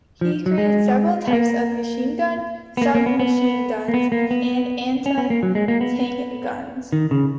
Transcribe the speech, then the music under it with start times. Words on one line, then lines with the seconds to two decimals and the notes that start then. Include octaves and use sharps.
He created several types of machine guns, submachine guns and anti-tank guns.
0.21 F3
0.46 F#3
0.58 G#3
1.28 B3
1.33 A#3
2.77 B3
2.81 A#3
2.95 A#3
3.06 B3
3.19 B3
3.88 A#3
3.94 B3
4.12 A#3
4.31 B3
5.06 C#4
5.18 B3
5.30 A#3
5.43 F#3
5.55 G#3
5.68 A#3
5.81 B3
6.93 D#3
7.11 C#3